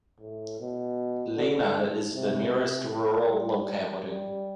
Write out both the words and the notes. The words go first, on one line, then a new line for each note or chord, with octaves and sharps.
Lena is the nearest rural locality.
A2
B2
D3
C3
C3
G3
G3